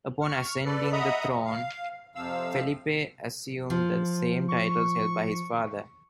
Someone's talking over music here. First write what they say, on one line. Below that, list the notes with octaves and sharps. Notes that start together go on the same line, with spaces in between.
Upon ascending the throne, Felipe assumed the same titles held by his father.
C#6 F6
A4 B4 D5
D#5 E5 F#5 A#5 B5 D#6
F5
F2 C3 F3 F5 E6
F3
C#6